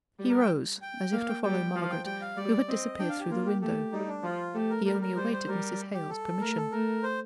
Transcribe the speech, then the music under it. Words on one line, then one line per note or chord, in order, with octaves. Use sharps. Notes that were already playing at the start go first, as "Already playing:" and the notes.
He rose, as if to follow Margaret, who had disappeared through the window he only awaited Mrs. Hale's permission.
G3
A#4
G5
G5
A#3 F5
G5
G3 G5
F3 F5
G5
G3 G5
F5
G3 D5
C4 D#5
D4 G5
F5
G4
A#3 F4
G4
A3 G4
G3 D#4
D4
F3 F4
A3 G4
A#4
G3 A#4
A#4
G3 C5
C5
G3 A#4
G4
A4
A3 A#4
A4
A3 A#4
C5